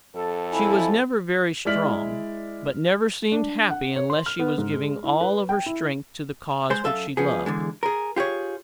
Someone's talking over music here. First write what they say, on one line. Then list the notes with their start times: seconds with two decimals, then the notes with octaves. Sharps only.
She was never very strong, but never seemed happy unless she was giving all of her strength to the cause which she loved.
0.16 F2 A4
0.52 E4 G#5
1.65 G#3 E4 D5 F6 B6 F#7
3.32 D4
3.71 F#5
3.96 C#5
4.10 C6
4.26 F6
4.39 B3
4.58 G#2
4.73 G#3
5.04 E4
5.21 B4
5.49 G5
5.66 E4
6.70 G#3 C5
6.84 F#2 A4 E5 F5
7.17 F3 B3 G#4
7.46 E2 D3 G#3
7.83 G#4 A#4
8.16 F4 G4 G#4 C#5